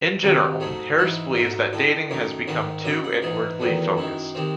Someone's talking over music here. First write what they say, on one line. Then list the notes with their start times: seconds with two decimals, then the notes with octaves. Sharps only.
In general, Harris believes that dating has become too inwardly focused.
0.23 C3 D#3 F#3
0.60 G#2 F#3 A3 G#4
0.98 G#2 E3 G#3 E4
1.35 G#2 F#3 A3
1.73 A2 G#3 A4
2.10 F#2 D#3 A3 C#5
2.47 G#2 D#3 G#3 C#5
2.85 F#2 C#3 G#3 E5
3.04 F#5
3.22 G#2 E3 G#3 G#4
3.60 E2 D#3 F#3 A3
3.97 F#2 D#3 G#3 E4
4.35 C3 D#3 G#3 C4